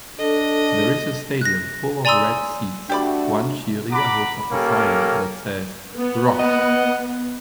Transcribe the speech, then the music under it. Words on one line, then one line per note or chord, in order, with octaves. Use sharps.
There is a stadium full of red seats, one cheerleader holds up a sign that says ROCKS.
D4 A4 D#5
F#6 A#6
D5 G#5 A#5 C6 D#6 E6
A3 D4 F#4 G4 D5 B5
F#5 A#5 B5 D6
A#3 C#4 G4 A4 A#4
B3
D#5 F#5